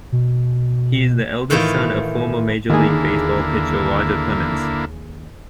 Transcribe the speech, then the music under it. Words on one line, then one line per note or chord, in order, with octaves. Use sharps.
He is the eldest son of former Major League Baseball pitcher Roger Clemens.
B2
A2 D#3 E3 E4 F4
D#2 D3 A#3 E4 G#4